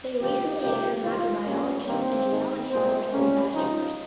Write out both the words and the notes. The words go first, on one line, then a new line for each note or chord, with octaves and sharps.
They recently added Microbiology and Geology course in Bachelors.
C#2 C3 F3 A#3 G4
C#2 C3 F3 A#3 G4
C2 C3 D#3 F4
A#1 A#2 G3 A#3 C#4
G2 D#3 A#3 C4
G#2 D#3 G#3
C2 A#2 G#3 C4
C#2 C3 G3 A#3 C#4
C#2 C3 F3 D#4